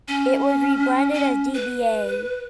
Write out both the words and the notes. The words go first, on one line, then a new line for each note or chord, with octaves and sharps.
It was rebranded as dba.
C#4
C#4
B4